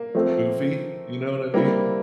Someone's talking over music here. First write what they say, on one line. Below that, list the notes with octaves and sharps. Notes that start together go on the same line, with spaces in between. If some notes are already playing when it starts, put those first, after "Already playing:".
goofy, you know what I mean?
Already playing: A#3
F3 A3 C4
G3 A#3 C4 E4